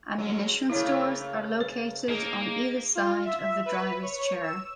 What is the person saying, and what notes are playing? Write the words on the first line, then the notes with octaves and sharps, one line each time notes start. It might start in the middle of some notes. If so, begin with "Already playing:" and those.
Ammunition stores are located on either side of the driver's chair.
F#3 G#3 C#4
C#3 A3 A#3 E4 C#5
B4
A#3 D#4 G#4 A#4
F4
E5
B4
C#5
E6